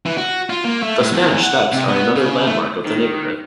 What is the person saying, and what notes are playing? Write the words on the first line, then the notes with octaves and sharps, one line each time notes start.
The Spanish Steps are another landmark of the neighborhood.
E3
F#4
F4
A#3
A3
A2
E2
F#5
C3
B3
C#3
A3
D#3